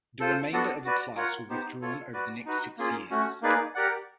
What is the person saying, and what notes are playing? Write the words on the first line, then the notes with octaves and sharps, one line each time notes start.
The remainder of the class were withdrawn over the next six years.
F4 A4 C5
B3 D4 F#4 A4 D5
F#4 B4 D5
F4 A#4 C#5 F#5
B3 D#4 G4 C5
F4 A4 C#5
F#4 B4 D5
D#4 F#4 B4
A#3 C#4 F4 G#4
A3 C#4 F#4
A#3 D#4 G#4 B4 D5
G4 A#4 D5 F#5